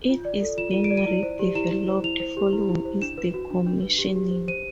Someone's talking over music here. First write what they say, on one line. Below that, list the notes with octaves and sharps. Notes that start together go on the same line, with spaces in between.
It is being redeveloped following its decommissioning.
F4
D5
A4
F4 E7
F4 D#7
D7
D5
D#7
E4
C5
G4
E4 E7
E4
C5
E4 F7
C5
G4
E4
E4
C5
D4 E7
B4
F#4
D4
D4
B4
G4
G4
C5
C5 D#7